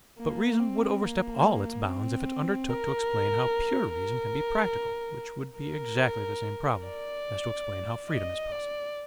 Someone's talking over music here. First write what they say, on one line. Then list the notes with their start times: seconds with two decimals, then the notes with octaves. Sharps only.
But reason would overstep all its bounds if it undertook to explain how pure reason can be practical, which would be exactly the same problem as to explain how freedom is possible.
0.19 A#3
0.60 C4
1.02 A#3
1.86 C4
2.70 A#4
3.95 A#4
5.60 A#4
6.86 D5
8.10 D#5
8.52 D5